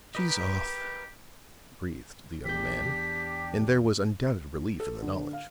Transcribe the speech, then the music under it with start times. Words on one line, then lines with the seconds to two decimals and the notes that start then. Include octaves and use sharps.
"She's off," breathed the young man, and there was undoubted relief in the knowledge.
0.15 G4 A#4 B4 D#5
2.45 E2 D4 G4 G6 B6
4.80 A4
5.02 D3
5.33 F5